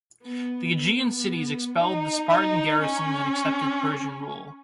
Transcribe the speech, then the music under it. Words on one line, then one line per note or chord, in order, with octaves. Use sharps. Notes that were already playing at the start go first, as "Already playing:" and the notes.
The Aegean cities expelled the Spartan garrisons and accepted Persian rule.
B3
B3
D#4
D#4
C#4